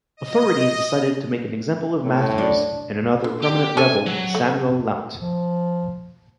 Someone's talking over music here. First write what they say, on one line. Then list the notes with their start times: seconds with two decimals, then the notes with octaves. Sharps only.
Authorities decided to make an example of Matthews and another prominent rebel, Samuel Lount.
0.17 D#5
2.01 A2
2.38 D4
3.24 D3
3.42 G4
3.77 C#4 D4 A4 G#5
4.06 F#3
4.35 A3
5.21 F3